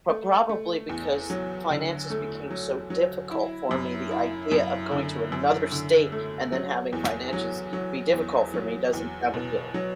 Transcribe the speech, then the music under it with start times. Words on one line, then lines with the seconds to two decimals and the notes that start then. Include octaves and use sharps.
Pro probably because finances became so difficult for me, the idea of going to another state and then having finances be difficult for me doesn't sound appealing.
0.09 A3
0.49 A3
0.89 E2
1.30 F#3
1.70 D3
2.10 A3
2.50 F#3
2.90 F#3
3.31 E4
3.71 F#2
4.11 E4
4.51 F#2
4.91 D3
5.32 F#2
5.72 D3
6.12 A3
6.52 F#3
6.93 E2
7.33 F#3
7.73 F#3
8.14 E2
8.54 F#3
8.93 E2
9.34 B2
9.74 F#3